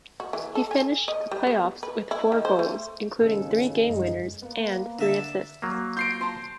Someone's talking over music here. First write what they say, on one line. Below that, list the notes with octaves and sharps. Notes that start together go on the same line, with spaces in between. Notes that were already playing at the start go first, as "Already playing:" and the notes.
He finished the playoffs with four goals, including three game winners, and three assists.
F#4
E3
A4
G#5
D#5
G3
B3
B4
E4
D#3
C5
A3
G#1 D#2 C#3 A4
F#2 G#3 D#4
A#3 B3
D3 D4 D#5 E5 A5
F#3 A#3
F4 A#5 G6 C7 D7
A5 A#5 C6